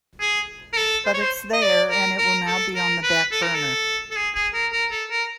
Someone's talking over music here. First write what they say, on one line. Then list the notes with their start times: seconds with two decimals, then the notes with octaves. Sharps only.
But it's there and it will now be on the back burner.
0.21 G#4
0.73 A#4
0.78 A4
1.06 C5
1.14 C#5
1.22 C5
1.53 D#5
1.62 D5
1.90 A#4
2.18 A#4
2.47 A4
2.75 A#4
3.03 B4
3.32 A4
3.43 A#4
3.55 A4
4.11 A4
4.16 G#4
4.35 G#4
4.54 A#4
4.73 A#4
4.91 A4
5.10 A#4